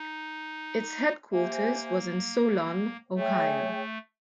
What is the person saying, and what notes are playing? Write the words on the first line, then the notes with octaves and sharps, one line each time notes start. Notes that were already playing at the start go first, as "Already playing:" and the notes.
Its headquarters was in Solon, Ohio.
Already playing: D#4
A#3 G4 C5 E5 G#5
A3 G#4 C#5 E5 G5